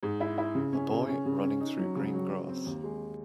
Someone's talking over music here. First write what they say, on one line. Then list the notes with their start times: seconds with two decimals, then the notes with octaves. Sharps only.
A boy running through green grass.
0.03 G#2
0.20 E4
0.38 E4
0.55 C#3
0.73 C#4
0.91 C#3
1.08 C#4
1.25 C#3
1.43 C#4
1.60 D#4
1.79 F#3
1.96 C#3
2.13 F#3
2.31 F#3
2.48 C4
2.66 D#2
2.84 G#3